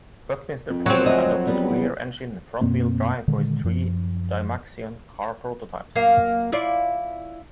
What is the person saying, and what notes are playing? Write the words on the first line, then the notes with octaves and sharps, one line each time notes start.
Buckminster Fuller adopted rear-engine, front wheel drive for his three Dymaxion Car prototypes.
F2
F#3 C4 C#5
D2 D#5 G#5
G3 B3
E2
F#2 B2 A#3 C4
A#2 D3 D#3 G#3
F#2 F3
F#2 A#3 F5
E4 F4 D5